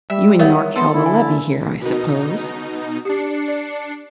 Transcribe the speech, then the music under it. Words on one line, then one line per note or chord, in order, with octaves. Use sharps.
You and Yorke held a levee here, I suppose?
G3 E5
B3 A#4 C#5 E5
B3 A4 C6
D3 E4
G#5
B2 D#4 F#4 A#4
D4 G4 C7 C#7
D5